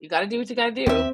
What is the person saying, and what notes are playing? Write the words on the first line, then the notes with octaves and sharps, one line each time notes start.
You gotta do what you gotta do.
D#2 B3 C4 G4 E5